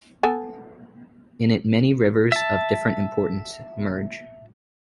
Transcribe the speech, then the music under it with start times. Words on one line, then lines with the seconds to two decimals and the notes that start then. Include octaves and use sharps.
In it many rivers of different importance merge.
0.23 B3 A4 G#5
2.32 E5 A5